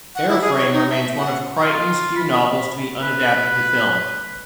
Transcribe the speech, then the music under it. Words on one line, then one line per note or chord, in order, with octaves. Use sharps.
"Airframe" remains one of Crichton's few novels to be unadapted to film.
F#5
E4
G#4
C#5
D#4
E5
E5
F#5
F4
B5
B4